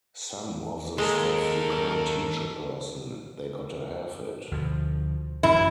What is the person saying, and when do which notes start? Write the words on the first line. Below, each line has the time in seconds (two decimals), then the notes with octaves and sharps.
Some of the stuff you can't teach a person; they gotta have it.
0.98 D#2 G#3 A4 A#4
4.51 D2 B2 F3
5.43 A1 F#2 E3 E4